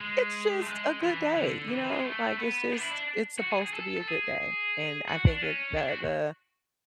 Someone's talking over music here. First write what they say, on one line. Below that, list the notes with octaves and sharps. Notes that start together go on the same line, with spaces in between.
It's just a good day, you know, like, it's just it's supposed to be a good day, and I think that the the
G#3
A3
G#3
E3
D3
E3
E3
G#3
A3
B3
D4
E4
D4
F#4
G#4
G#4
A4
A4
G#4
F#4
D4
C#4
D4
F#4